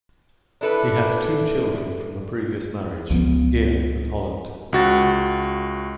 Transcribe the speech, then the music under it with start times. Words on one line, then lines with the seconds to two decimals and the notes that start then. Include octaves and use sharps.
He has two children from a previous marriage, Ian and Holland.
0.61 D4 E4 A4 B4
3.10 C#2 F3 B3
4.73 C#2 F#4 A6